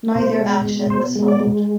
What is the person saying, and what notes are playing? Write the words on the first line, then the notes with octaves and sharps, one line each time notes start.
Neither action was followed.
B2 C5
G#3
B2
B2 C5
G#3
D5
G#3